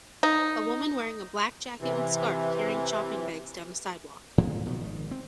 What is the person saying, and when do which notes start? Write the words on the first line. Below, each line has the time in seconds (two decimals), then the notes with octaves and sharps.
A woman wearing a black jacket and scarf carrying shopping bags down a sidewalk.
0.23 D#4
1.81 C3 E3
4.38 G#2 F3 A#3 C4
4.66 B2 D#3 F3 F#3
4.81 G#1 D#3
5.11 C4